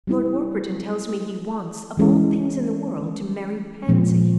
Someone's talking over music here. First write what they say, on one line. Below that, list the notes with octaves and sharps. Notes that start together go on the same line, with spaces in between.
Lord Warburton tells me he wants, of all things in the world, to marry Pansy.
G3 C4 E4
E3 G#3 C#4 E4
A#2 F3 G#3 C4